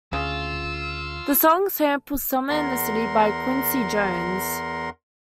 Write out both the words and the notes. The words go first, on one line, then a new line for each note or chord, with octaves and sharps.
The song samples Summer in the City by Quincy Jones.
D2 C#3 F4 E6
E2 A#4 F#5 C6